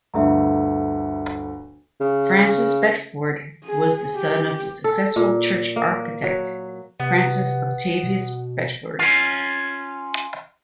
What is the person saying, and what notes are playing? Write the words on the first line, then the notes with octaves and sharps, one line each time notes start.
Francis Bedford was the son of the successful church architect Francis Octavius Bedford.
G1 D2 A3 E5 A#5
C#3
G#4
G4
A4
A#2
A#3
F#3
C3 B3
B2
C#4 F4